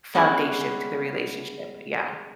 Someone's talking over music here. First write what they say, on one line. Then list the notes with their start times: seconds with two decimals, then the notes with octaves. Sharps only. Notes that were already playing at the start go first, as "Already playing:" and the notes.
foundation to the relationship, yeah.
0.14 G3 G#3 B3 C#4 E4